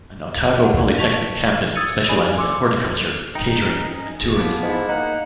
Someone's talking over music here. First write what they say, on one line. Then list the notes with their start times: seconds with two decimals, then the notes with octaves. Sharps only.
An Otago Polytechnic campus specialises in horticulture, catering and tourism.
0.65 F#5
0.79 D5
0.98 D#5 A5 C#6 B6 F7
1.75 D#6 E6 G#6 A6 C#7 D#7
2.09 G4 D5 G#5 B5
2.38 C6 D6 E6 C#7
3.35 D#4 G5
3.67 C#4
4.22 G#4
4.37 F3 B3 D6
4.63 G#2 E4
4.89 A#3 D#4 F#5